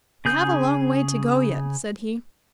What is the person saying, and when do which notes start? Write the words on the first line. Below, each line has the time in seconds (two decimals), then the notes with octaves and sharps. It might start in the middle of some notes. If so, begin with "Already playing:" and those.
"We have a long way to go yet," said he.
0.25 C#3 G#4 G6